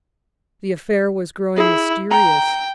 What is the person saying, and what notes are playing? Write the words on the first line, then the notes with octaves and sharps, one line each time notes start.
The affair was growing mysterious.
E4 G#4
G5 A#5